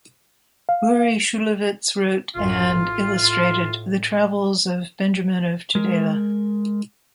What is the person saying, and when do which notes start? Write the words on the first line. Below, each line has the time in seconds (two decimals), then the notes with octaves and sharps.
Uri Shulevitz wrote and illustrated The Travels of Benjamin of Tudela.
0.69 F5
2.36 A1 F#2 F4
2.81 A2
5.75 G#3 A#4